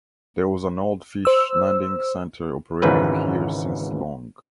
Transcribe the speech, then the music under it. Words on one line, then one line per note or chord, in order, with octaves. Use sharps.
There was an old Fish landing centre operating here since long.
C5 E6
G#1 C#2 G#2 E3 B4